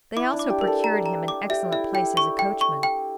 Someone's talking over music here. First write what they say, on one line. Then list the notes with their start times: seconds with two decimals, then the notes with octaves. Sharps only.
They also procured him an excellent place as a coachman.
0.16 E4 D6
0.33 D4
0.39 D6
0.50 G4
0.61 A#4
0.67 A4
0.84 A#5
1.06 A#5
1.28 D6
1.50 G4 E5
1.72 E4 E5
1.94 G4 G5
2.17 C#6
2.39 G5
2.61 C#6
2.83 G5